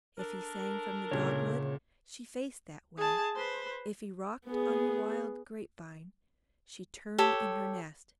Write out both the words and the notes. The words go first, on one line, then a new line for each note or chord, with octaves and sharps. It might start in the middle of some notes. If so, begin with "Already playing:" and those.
If he sang from the dogwood, she faced that way. If he rocked on the wild grape-vine, she turned in her nest.
D4 A4 A#4
D2 A#2 C#3 G#3 C#5
G#4 A5
B4 C5
B3 G#4
G4 A4 C#5